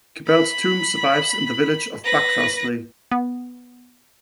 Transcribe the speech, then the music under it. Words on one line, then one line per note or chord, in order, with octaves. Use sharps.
Cabell's tomb survives in the village of Buckfastleigh.
B5
B4 A#6
B3